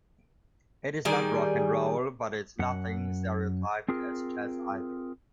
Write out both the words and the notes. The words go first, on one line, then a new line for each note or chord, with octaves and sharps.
It is not rock and roll, but it's nothing stereotyped as jazz either.
D#3 G3 G#4
F#2 F#5
C4 F4 G#4 A#4